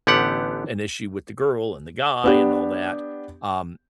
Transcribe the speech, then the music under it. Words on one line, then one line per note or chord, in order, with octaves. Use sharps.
an issue with the girl, and the guy, and all that, um,
A1 D3 B3 G4 F#5
B3 D4 G4